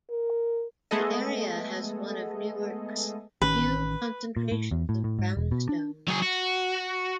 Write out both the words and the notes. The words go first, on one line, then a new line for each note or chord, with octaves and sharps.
The area has one of Newark's few concentrations of brownstones.
A#4
G#3 A3 B3 G#4 A4 D#5
A1 D#3 C#4 B4
A#2
A2
E2
A2
A2
G#2
E1
B2
D4
F#3 G#4
F#4